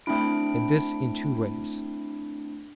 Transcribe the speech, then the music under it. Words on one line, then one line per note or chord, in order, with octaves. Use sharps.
And this in two ways.
A3 C4 D4 E4 D7